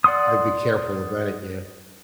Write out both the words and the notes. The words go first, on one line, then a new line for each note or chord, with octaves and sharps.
I'd be careful about it, yeah.
D5 F#5 C6 D#6